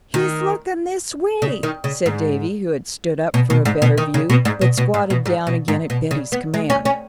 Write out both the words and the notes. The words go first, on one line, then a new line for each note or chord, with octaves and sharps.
"He's looking this way," said Davy, who had stood up for a better view, but squatted down again at Betty's command.
D#3
C#3
D#3
C#3
G#2
B2
B2
G#2
B2
D#3
C#3
B2
G#2
B2
B2
G#2
B2
G#2
B2
G#2
B2
C#3
B3
G#3
C#4
C#4